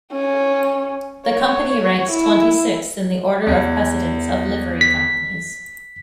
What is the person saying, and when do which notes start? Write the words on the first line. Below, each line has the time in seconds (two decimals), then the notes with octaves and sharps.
The Company ranks twenty-sixth in the order of precedence of livery companies.
0.12 C#4
1.27 C#5
2.11 E4
3.46 E2
4.81 B6